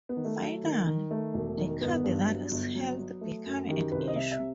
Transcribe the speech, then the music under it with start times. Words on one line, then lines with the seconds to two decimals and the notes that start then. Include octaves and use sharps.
Finally, the Cardinal's health became an issue.
0.09 B3
0.17 D#3
0.25 A3
0.40 F#3
0.64 D#3
0.87 D#3
1.11 A3
1.34 E1
1.57 D#3
1.81 G1 B3
2.04 G2
2.28 F#3
2.52 G1
2.75 F#3
2.98 F#3
3.21 A3
3.45 F#2
3.69 D#3 G4
3.92 C2 B4
4.00 C5
4.08 D#5
4.16 C3 E5
4.31 E5
4.39 C3